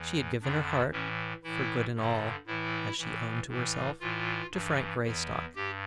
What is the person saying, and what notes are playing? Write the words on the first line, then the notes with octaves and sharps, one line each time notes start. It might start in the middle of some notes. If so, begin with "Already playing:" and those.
She had given her heart,--for good and all, as she owned to herself,--to Frank Greystock.
Already playing: E2 E3
F2 D3 D4
A2 E3 C#4
A2 E3 E4
G2 D3
A2 E3 E4
A2 E3
A2 E3
A2 E3 F4
G2 E3
E2 E3
G2 G4